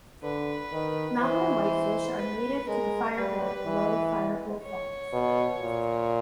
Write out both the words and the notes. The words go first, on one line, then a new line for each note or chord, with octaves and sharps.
Mountain whitefish are native to the Firehole below Firehole Falls.
D3 B4
D#3
E3 C5
B4
G#3 A#4
G3 B4
E3
C#5
B2
A#2